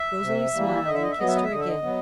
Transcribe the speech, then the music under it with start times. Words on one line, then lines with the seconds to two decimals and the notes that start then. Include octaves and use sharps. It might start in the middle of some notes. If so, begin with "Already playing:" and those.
Rosalie smiled and kissed her again.
Already playing: E5
0.22 C3
0.54 E3 G3 A#3
0.86 D3 D#5
0.94 E5
1.02 D#5
1.10 E5
1.18 F#3 B3 D#5
1.28 E5
1.36 D#5
1.44 E5
1.50 D3 D#5
1.60 E5
1.68 D#5
1.82 F#3 B3